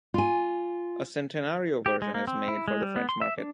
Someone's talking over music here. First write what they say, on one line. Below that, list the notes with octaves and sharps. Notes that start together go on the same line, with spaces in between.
A centenario version is made for the French market.
F4 G#5
G4
G#3
A#3
C4
E4
G#3
G3
B3
C6
E5
D4